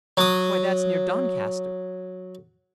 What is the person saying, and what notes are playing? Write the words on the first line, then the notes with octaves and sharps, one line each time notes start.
"Why, that's near Doncaster."
F#3 D#6